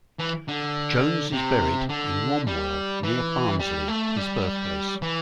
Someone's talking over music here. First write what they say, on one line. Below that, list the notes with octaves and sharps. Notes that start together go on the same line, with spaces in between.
Jones is buried in Wombwell near Barnsley, his birthplace.
E3
D3
C3
D3
G3
E3
G3
A3
G3
E3